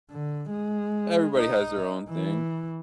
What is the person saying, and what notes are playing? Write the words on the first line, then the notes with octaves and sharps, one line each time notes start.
everybody has their own thing.
D3
G#3
D#4
E3